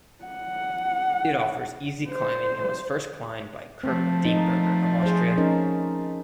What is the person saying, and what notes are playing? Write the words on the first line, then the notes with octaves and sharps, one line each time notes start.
It offers easy climbing and was first climbed by Kurt Diemberger of Austria.
F#5
C5
F3 A3 C4
D#4
G#4 C5
C#4 D#4 A#4